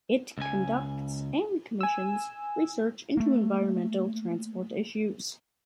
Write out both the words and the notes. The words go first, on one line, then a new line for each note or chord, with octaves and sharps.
It conducts and commissions research into environmental transport issues.
C#2 G#5
G#5 E6
A3 A#3